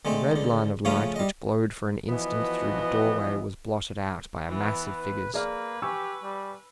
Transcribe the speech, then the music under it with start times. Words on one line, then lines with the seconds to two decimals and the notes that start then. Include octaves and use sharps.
The red line of light which glowed for an instant through the doorway was blotted out by a mass of figures.
0.05 D3 G#3 A3 C4
0.31 C#2 D3
0.85 C#3 F3 A3 C#4 F5 D#6
1.16 G3 D#5
2.09 E3 F3 B3 F#4 D#5
4.48 E3 B3 B4
5.34 A#3 G#4 B4 D5 F6
5.82 G4 G#5 C#6 E6
6.23 G3